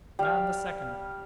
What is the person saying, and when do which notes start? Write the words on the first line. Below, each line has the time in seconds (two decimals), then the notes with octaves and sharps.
Man the second.
0.19 G3 F5